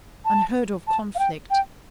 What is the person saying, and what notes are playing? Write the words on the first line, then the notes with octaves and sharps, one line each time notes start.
Unheard-of conflict!
A5
A5
F5
G5
G5